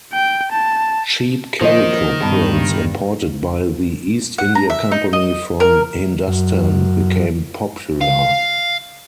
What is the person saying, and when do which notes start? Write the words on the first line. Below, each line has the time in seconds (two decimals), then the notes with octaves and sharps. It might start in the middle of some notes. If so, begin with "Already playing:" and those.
Cheap calico prints, imported by the East India Company from "Hindustan", became popular.
0.13 G5
0.52 A5
1.61 D#3 F3 A#3 C5 D#5
2.22 G2 B2 A5 B5
4.38 F#5
4.55 A#5
4.70 E5
4.91 D#4
5.13 D#5
5.60 A#4
6.28 F#2
8.01 F5